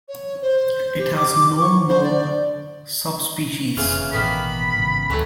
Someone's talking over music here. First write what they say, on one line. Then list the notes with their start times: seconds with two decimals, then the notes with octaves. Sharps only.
It has no known subspecies.
0.09 C#5
0.42 C5
0.98 G4
1.16 D6
1.61 C#6
1.88 C5
2.03 D5
3.77 F1 C#3 E3 F4
4.13 A1 B2 D#3 A#3 B3 B5
4.74 A1 G#2 C#3
5.10 D2 E3 F#3 A3